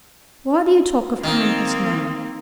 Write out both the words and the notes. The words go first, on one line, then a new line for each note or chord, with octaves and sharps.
"Why do you talk of kindness now?"
D#3 A#3 C4